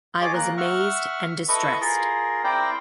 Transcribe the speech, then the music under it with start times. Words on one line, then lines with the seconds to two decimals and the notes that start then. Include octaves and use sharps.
I was amazed and distressed.
0.21 F4 G#4 C#5 D#5 D6
0.34 A#3 A#4 F#6
0.57 E5 F#5 C#6 F6
1.48 E4 A4 B4 D#5 C#6
1.81 F4 G#4 A#4
2.44 C4 E4 A#4 C5 D5 G5